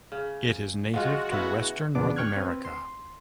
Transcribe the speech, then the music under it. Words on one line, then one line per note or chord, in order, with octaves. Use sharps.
It is native to western North America.
C#3
F3 G#3 F4 F#4
C#3 B3 E4
E2 C#3 B3 D4 D6
G5 C#6 F6 F#6 G#6
C4 B4
C6